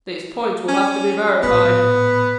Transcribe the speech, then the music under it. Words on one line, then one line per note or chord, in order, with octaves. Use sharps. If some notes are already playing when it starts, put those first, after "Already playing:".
"These points will have to be verified."
C#4
A#1 A2 B3